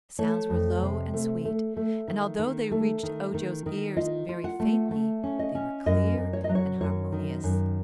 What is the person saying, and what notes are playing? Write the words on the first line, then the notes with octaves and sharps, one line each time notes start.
The sounds were low and sweet and, although they reached Ojo's ears very faintly, they were clear and harmonious.
A3 C#5
F2
C3
A3
A3
A3
D#3
D#3
A3
D#3
D#3
D#3
F4 D#5
F4
F#5
A3
A3
C#4
D#5
C#4
F#2 D#5
F#2
C#5
D#5
F#3
C#5
F#2 C#5
D#3
F#2